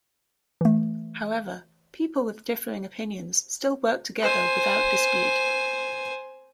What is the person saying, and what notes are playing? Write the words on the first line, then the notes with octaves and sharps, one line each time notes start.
However, people with differing opinions still work together without dispute.
E3 A3
C5 G#5